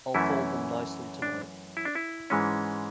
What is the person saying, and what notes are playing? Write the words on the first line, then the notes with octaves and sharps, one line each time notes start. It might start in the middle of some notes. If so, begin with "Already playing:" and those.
I’ll fold them nicely tonight.
F#2 E3 A3 C#4 E4
D4
E4
D4
E4
G#2 E3 G#3 C#4